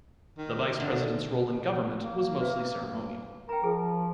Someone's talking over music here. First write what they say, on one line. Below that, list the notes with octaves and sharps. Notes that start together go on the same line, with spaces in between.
The Vice-President's role in government was mostly ceremonial.
D#3
D3
A#3
B4 E5 F5
A#4 G5 A#5
F3 G#4